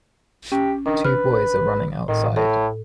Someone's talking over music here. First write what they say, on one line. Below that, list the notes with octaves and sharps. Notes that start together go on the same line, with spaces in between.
Two boys are running outside.
C#4 G4
D#3 D4
B4 F6
A2 D#3
A2 A4